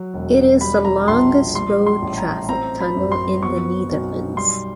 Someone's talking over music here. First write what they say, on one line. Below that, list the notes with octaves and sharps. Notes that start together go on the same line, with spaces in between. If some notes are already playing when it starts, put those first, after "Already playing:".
It is the longest road traffic tunnel in the Netherlands.
Already playing: F#3
E1
G3 B5
A#5
A#1 C6
G3 C6
C6
A1
A#5
C4 A#5
B5
F#2
C6
B3 C#6
B1
G3 C6